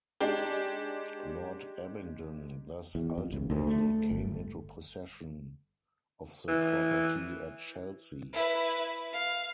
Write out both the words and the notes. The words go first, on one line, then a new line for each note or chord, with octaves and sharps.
Lord Abingdon thus ultimately came into possession of the property at Chelsea.
G#3 D4 D#4 G4
E2
F2
C#2
D2
A3
G1
E3
E4 B4
F5